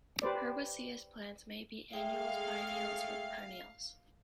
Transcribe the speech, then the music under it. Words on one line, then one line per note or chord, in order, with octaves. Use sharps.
Herbaceous plants may be annuals, biennials or perennials.
G4 B4 C5 D5
G#3 A3 G#4 E5 F5 G5